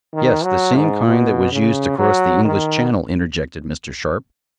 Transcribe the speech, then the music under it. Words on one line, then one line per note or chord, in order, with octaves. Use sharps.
"Yes, the same kind that was used to cross the English Channel," interjected Mr. Sharp.
D#3
F#3
G#2
B2
C#3
F#3
D#3